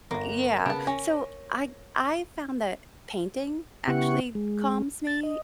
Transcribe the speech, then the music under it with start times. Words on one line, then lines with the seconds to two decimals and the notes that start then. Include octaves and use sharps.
Yeah, so, I I found that painting actually calms me.
0.11 G1 A#3 A#6
0.66 C#3 B3 A5 D7 E7
0.87 C#4 A#6
3.88 C#3 B3 E4 G4 F#5 C#6
4.35 G#3
5.07 A6
5.23 D#5